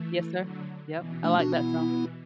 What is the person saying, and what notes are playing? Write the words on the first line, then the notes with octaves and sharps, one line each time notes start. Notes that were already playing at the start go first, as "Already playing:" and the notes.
Yes, sir, yep, I like that song.
Already playing: E3 A3
D3 F#3
B2 E3
B2 A3 D4
D4 F#4
B2 E3 B3 E4